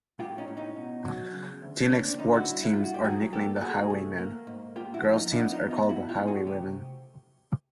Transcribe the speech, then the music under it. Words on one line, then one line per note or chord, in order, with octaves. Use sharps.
Teaneck's sports teams are nicknamed the Highwaymen; girls' teams are called the Highwaywomen.
A2 F4 G4
C#4 D#4
A2
C#4 D#4
B2
F#3
C#3
D2
A#3 C#4
C4 D4
D3 C#4 D#4
E4 F#4
G2
E4
G2 F4
F#4
G4
F#3 F#4 G#4
A#3 G4 A4
A4
C2 F#4 G#4
A3
A#3
G#2
A#3 F4 G4
E4 F#4
F3
D#4 F4
B3 D4 E4
D#4 F4
B3
D#4 F4
A2 E4 F#4
F4 G4
A3
F#4 G#4
C3 G4